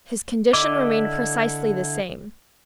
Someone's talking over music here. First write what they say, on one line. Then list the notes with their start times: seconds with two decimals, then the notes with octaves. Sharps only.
His condition remained precisely the same.
0.53 D3 E4 D#5 D6